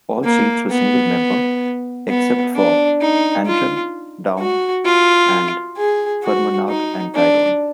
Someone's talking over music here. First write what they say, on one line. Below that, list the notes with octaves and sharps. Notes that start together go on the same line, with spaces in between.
All seats were single member, except for Antrim, Down and Fermanagh & Tyrone.
A#3
B3
B3
D4
D#4
F4
F#4
F4
G#4
F#4
D#4
D4